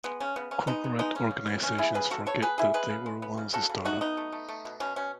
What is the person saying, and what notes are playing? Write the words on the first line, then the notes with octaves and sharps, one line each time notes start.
Corporate organizations forget that they were once a startup.
G#3 B3
C#3 C#4
C#3 B3
B3 C#4
G#3 B3 D#4
B3
G#3 B3 D#4
B3 C#4
C#3
B3
B3 C#4
C#3 E4 G#4
C#3 G#4 B4
C#3 F#4 A4
B3 A4 C#5
B3 G#4 B4
C#3 E4 G#4
G#3 G#4 B4
C#3
G#3
B3
C#3
C#3 F#4 A4
C#3
A3 D#4 F#4
B2 B3 D#4
A3
A3
A3
B2
B2 C#4
B2 C#4